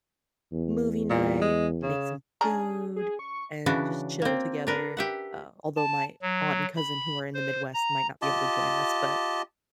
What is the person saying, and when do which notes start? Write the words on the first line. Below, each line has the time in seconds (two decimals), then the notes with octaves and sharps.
movie night, make some food, and just chill together, uh, although my aunt and cousin who are in the Midwest might not be able to join us, but
0.52 E2
1.10 A#2
1.42 G#3
1.83 C#3
2.41 C#3 D4 G#4 A#5
2.96 G#4
3.19 C#6
3.66 C#3 E3 D4 F#4
4.22 A#3 C4
4.67 D4 A#4 B4
4.97 G4 E5 F#5
5.76 A5
6.22 F#3
6.76 B5
7.34 C5
7.74 A#5
8.22 F4 G4 D#5 A5